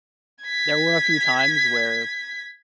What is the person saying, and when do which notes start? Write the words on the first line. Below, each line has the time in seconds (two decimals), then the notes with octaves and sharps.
there were a few times where
0.44 G#6 B6